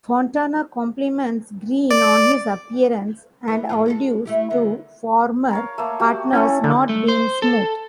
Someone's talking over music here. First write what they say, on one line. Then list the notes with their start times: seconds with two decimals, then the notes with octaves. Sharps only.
Fontana compliments Green on his appearance, and alludes to former partners not being "smooth".
1.91 D5
3.48 E3 A3
3.69 G#2 F3 F4
3.86 G#3 F#4 A4
4.25 A3 E4 G4
4.50 D3 D#3 B3
5.51 A#4 C#5 F5
5.78 A3 A#3
6.00 F#4 G4
6.33 C#4 E4 A4 F#5
6.64 D3 D#4
6.89 A3
7.08 C5
7.42 A4